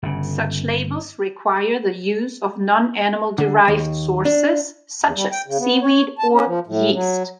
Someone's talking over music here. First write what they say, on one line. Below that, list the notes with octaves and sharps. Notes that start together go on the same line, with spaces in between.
Such labels require the use of non-animal derived sources, such as seaweed or yeast.
G1 C#3
D3
D#2
D4
E2
G3
G5
C#3
B3
C#5
A5
C#4
F3
A2
F#3